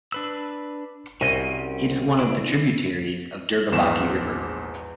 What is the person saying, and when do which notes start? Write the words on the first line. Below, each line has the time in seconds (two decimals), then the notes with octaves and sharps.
It is one of the tributaries of Durgavati River.
0.12 D4 B4 E6
1.21 C2 C4 C#4 F#4 D#5
2.19 D4 E4
3.72 A#1 E2 G#2 E7